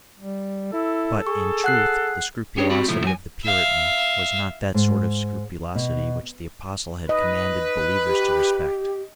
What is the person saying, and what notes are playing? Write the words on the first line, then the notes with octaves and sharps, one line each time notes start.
But, in truth, the scrupulosity of the Puritan was not that sort of scrupulosity which the Apostle had commanded believers to respect.
G3
E4 A4
G#4 C#6
F#5 F#6 C7
C#4 D4 G4 G#4 C#5
G3 C4 F#4 B5
C#2 A#2 E3 F3 A3 E4
F#3 G#5
E5 F5
G#2
B2
B4 D#5
G4